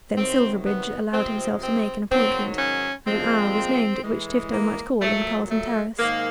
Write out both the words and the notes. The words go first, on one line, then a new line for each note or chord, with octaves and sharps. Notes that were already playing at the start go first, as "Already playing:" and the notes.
Then Silverbridge allowed himself to make an appointment, and an hour was named at which Tifto might call in Carlton Terrace.
C3 D#3 F#3 C4
B3
C3 F3 G#3 C4
C4
G#2 D#3 F#3 C4
C#4
A#2 F3 G#3 C4
A2 E3 G#3
A#3
A#2 F#3 A3
A3
G#2 D#3 G#3 A#3